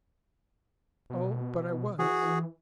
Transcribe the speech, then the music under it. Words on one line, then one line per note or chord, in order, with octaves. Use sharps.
"Oh, but I was."
B2
E3 F#4 G#4